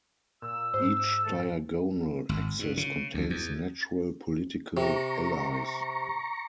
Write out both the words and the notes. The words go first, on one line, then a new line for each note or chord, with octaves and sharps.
Each diagonal axis contains natural political allies.
A#2 E6
G#2 C5
D#3 A3 A4
G#1
G2
C#3
D2
E2
C3 A#5 C#6